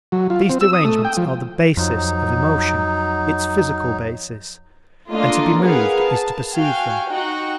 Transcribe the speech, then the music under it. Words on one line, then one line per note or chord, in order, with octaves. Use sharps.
These derangements are the basis of emotion, its physical basis, and to be moved is to perceive them.
F#3
F4
C4
E6
D#6
A3
G5
F3
F2 F#3 D#4
A3 A#3 D4 F4 D#5
G#4 A#4 B4 F5 F#5
A5
F#4 F5 G5 G#5
D#4 F#4 F#5 G5